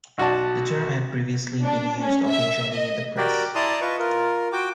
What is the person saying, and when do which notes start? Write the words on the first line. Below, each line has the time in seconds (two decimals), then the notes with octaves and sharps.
The term had previously been used occasionally in the press.
0.18 B1 F#4 D5 A5
1.64 D4
1.99 C#4
2.28 E5
2.73 D#5
3.17 F#4 G4 A#4 D5 G5
3.55 E4 D5 A5 A#5 C6 D#6
3.81 F4 B4 D#5 C#6
3.99 F4 A#4
4.52 F#4 G5 D6